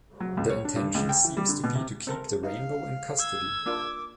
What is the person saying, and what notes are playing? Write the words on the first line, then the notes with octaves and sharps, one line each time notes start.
The intention seems to be to keep the rainbow in custody.
F#3
C#2
C#5
D4
G2
C#2
G5
E3
G3
D3
B2
C3
C4 A4 A#4
D#4 F5
E6 G#6
A#3 D4 F4 D6